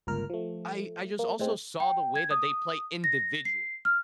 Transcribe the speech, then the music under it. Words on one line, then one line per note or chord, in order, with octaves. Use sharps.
I I just also saw the way that they play individually
G1 C#2 A#2 A#4 F6
F3 A3
A#3
A2 G#3 C4
G5
G#6
D#6
A#6
C7
F6